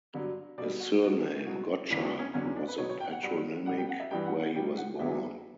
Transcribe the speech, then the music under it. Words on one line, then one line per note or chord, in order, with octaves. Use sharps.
His surname, Gottschalk, was a patronymic where he was born.
G2 D3 F#3
B2 G3 D5
F#4
B2 F#3 F#4
B2 F#3 F#4
E2 D3 F#3 E4
D4
C#4
E2 D3 F#3 C#4
C#4
D4
B4
B2 F#3 C#5
C#5
G5
F#5
G2 F#3 F#5
B2 G3 F#5
G5
F#5
E5
G2 E3 G3 G5
F#5
F#5
B2 G3 G5
F#5
E2 D3 F#3 E5